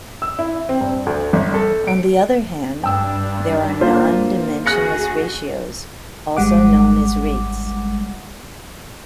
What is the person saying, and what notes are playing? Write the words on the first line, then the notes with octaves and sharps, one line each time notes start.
On the other hand, there are non-dimensionless ratios, also known as rates.
E6
E4
C4
G2
D2
G1
A4
D7
G2 D4 G5 E6
A#3 F4 C5
D2 F#4 G#4 F#6 A#6 C#7
G#1 G3 G#3 F#5 D6